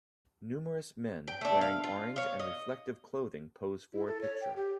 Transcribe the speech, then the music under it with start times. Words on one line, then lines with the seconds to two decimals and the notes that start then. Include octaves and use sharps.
Numerous men wearing orange and reflective clothing pose for a picture.
1.28 G5
1.41 A3 D4
1.61 F5
1.84 F4
2.16 C#5 F5
2.39 D#5
3.93 E4
4.07 A4
4.22 C#5
4.41 G5
4.56 G4